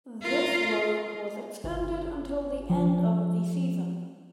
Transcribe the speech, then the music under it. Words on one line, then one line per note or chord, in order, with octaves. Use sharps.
This loan was extended until the end of the season.
F4 A#4
G1
F3